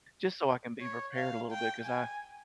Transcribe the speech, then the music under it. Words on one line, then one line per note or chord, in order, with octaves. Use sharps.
just so I can be prepared a little bit 'cause I,
C#5
F5
G5
G#5